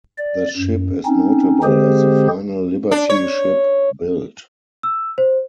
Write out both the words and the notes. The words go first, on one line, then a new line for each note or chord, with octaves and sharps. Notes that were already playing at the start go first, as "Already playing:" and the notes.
The ship is notable as the final liberty ship built.
D5
F#2
C4 C#4 D#4
D3 G#3 C4 G4 G#4 C5
D4
C#5
E6
C5